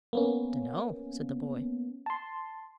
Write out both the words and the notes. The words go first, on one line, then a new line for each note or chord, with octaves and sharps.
"Dunno," said the boy.
A#3 B3 C#4
A5 C6